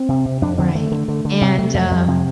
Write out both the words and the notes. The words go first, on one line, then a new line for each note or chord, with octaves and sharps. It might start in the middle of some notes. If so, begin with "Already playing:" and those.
Right. And, um,
Already playing: C4
C3
C3
F2 D4
D3 C4
D3 A3
D3
D3
D3
C3 G3
C3 A3
F2 A3
F2 G3
C3 F3